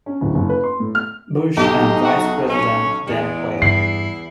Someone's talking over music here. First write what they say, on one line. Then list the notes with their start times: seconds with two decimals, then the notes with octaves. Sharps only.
Bush and Vice President Dan Quayle.
0.06 C#4
0.21 D1
0.35 F#1
0.49 B4
0.64 C6
0.80 A2
0.95 F6
1.57 B1 D#4 G4
2.04 F#4
2.49 C#4
3.07 E2 G#3
3.62 G2 E4 C7